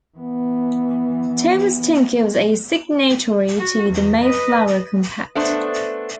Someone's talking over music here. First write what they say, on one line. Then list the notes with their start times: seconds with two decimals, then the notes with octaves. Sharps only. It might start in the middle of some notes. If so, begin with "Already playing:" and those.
Thomas Tinker was a signatory to the Mayflower Compact.
0.17 E3 B3
3.59 F#4
3.91 E2
4.23 B4 D#5
5.35 A3 B3 D4 C5